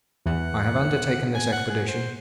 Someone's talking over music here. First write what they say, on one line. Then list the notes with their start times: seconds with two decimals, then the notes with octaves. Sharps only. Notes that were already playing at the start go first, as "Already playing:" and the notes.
I have undertaken this expedition.
0.26 E2 E3 F#5
1.34 G#5
1.52 F#5
1.69 G#4
1.88 C5